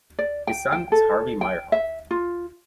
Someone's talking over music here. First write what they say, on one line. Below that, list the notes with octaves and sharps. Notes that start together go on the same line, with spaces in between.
His son is Harvey Meyerhoff.
D5
G5
G5
A4
G5
E5
F4